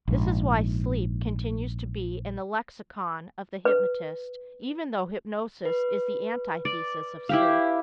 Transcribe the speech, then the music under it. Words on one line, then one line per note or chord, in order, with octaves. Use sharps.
This is why "sleep" continues to be in the lexicon of the hypnotist even though hypnosis is the antithesis of sleep.
A#1 G#2
B4
B4
D5
E4 G4 F5